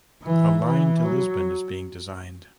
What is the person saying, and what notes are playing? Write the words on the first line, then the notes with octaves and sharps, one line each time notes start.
A line to Lisbon is being designed.
E3
E3
F#3